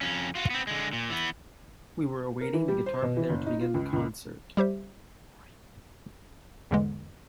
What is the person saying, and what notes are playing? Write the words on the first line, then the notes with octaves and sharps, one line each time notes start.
We were awaiting the guitar player to begin the concert.
F2 C#4
F4 F#4
B3 C4
D3 G#3
A#2
E3 B3
A#4
E3
G3
C5
B2
E3
F#1
D#4
F4
C#2
C#2
G3 G4 C5 E5
E2 G#2 D3 E3 G#3